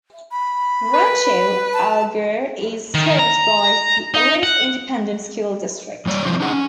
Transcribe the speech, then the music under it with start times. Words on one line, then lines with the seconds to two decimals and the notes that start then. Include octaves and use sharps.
Rancho Alegre is served by the Alice Independent School District.
0.31 B5
0.94 B4
1.73 A5
2.95 D#3
3.19 A#5
4.14 D#4
4.43 F#5
6.06 F#2 G3 C#5 D5
6.25 C3 E3 F3 C4
6.40 C#4 D#4 G#4 F#5
6.52 C#4